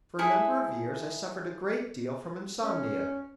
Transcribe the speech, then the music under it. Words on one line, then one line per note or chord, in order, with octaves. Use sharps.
For a number of years I suffered a great deal from insomnia.
E4 G#4 A4 E5
C#4